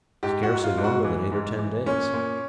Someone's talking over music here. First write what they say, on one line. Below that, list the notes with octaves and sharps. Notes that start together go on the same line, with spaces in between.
"Scarcely longer than eight or ten days."
G#2 G4
F#4
G#2
F4
G#2
F#4
E3
G#2
E3
A#2 C#4
A#2